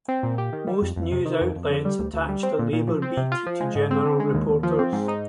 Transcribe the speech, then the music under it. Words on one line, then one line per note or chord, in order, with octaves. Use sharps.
Most news outlets attach the labor beat to general reporters.
C4
A#2
G4
D#3
G3
F2
F2
C3
D#3
F2
F2
D3
G3
D2
D2
G3
C4
A#2
A#2
F3
C4
C3
F4
F3
G#3
G#2
C4
D3
G#3
D#2
D#2
F3
C4
G#2
D#4